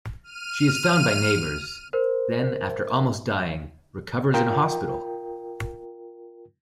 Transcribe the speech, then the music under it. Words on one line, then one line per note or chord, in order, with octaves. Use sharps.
She is found by neighbors, then after almost dying, recovers in an hospital.
F6 D#7
A#4 C5
F4 A#4 G5